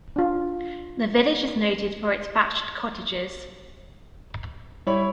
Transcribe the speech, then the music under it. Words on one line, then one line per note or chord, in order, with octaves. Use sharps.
The village is noted for its thatched cottages.
D4 F4
G3 E4 C#5 B5